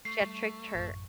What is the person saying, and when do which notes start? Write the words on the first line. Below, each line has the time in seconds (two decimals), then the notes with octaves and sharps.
She had tricked her
0.05 A3 C#6 C7
0.21 G3
0.75 A1 F#2